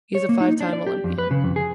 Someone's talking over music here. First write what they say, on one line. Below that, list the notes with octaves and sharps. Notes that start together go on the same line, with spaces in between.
He is a five-time Olympian.
C#5
A#3
D#4
D4
D5
G4
F2
B4
C#3
F2
G#4